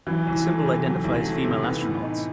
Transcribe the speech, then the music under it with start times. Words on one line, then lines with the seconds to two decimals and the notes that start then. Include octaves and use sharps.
The symbol identifies female astronauts.
0.07 E3 F#3
0.27 C2
0.46 A3
0.66 C3
0.85 F#3
1.04 C2
1.24 A3
1.44 C3
1.63 B3
1.83 A2
2.02 D#4